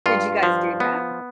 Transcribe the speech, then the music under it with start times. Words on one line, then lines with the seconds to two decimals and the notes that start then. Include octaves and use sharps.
Did you guys do that?
0.06 G2 F4
0.43 F3
0.80 B3